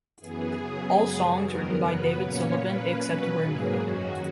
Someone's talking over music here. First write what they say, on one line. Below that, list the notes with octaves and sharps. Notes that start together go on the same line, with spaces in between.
All songs written by David Sylvian except where noted.
F#2 E3 B3 G#4
C#3 F#3 B3
F#2 C#3 G#3 C#4
E2 D#3 F#3 B3 A#4
F#2 C#3 F#3 B3 B4
A#2 A#3 C#4 C#5
A#2 A#3 C#4 B4
B2 F#3 C#4 B4
G#2 F#3 A#3 G#4
F#2 D#3 F#3 C#4 F#4